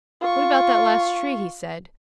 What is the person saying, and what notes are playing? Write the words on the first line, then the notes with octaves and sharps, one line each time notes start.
"What about that last tree?" he said.
F4 C#6